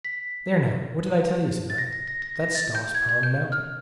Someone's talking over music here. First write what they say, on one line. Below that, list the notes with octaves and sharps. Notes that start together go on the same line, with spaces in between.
"There, now, what did I tell you?" said I. "That's Stoss Pond mountain."
B6
A6
A#6
A#6
A#6
A#6
A#6
A6
G6
G#6
G#6
G6
F6